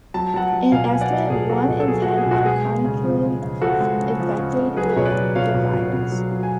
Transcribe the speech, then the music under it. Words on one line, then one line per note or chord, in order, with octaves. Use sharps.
An estimated one in ten are chronically infected with the virus.
F#3 A5
F#3 F#5 A5
F#3
B2 F5 G#5
F#3 G#5
D5 F#5
F#3
B2 G#4
F#3 F#4 A4
B2
A4
F#3 G#4
F#4
F#3
G#4
B2
F#4
G#3 G#4
G#3
C#3
F3
F3
C#3
F3 F#4 A4
G#3
C#3
F3
C#3
C#3
F#3 G#4 B4
B2 C#5
B4 D5
F#3
B2 C#5 F5
B2
B2
B2
F#3
F#3
G#5